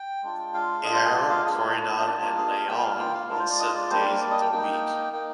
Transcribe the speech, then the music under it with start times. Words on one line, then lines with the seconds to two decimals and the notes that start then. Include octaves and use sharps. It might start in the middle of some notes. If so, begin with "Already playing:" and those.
Ayr, Corydon, and Leon on set days of the week.
Already playing: G5
0.23 G#3 D4 F4
0.54 F5
0.84 G#3 D4 F4 D#5
0.94 C5
1.05 G#4
1.15 D5
1.30 F5
1.45 A#3 D4 F4 D#5
1.99 D#5
2.06 A#3 D4 F4 D5
2.22 A#4
2.37 G#4
2.47 D#5
2.58 F5
2.68 A#3 F4 G5
2.83 F5
2.99 G5
3.14 F5
3.29 G#3 D4 F4 A#4
3.40 C5
3.49 D5
3.59 D#5
3.75 D5
3.90 G3 A#3 D4 C5
4.05 A#4
4.21 D5
4.31 D#5
4.41 G5
4.52 A#3 D#4 G5
5.12 A#3 D#4 G5